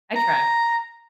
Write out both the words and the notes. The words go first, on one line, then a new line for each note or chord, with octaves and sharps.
I try.
A#5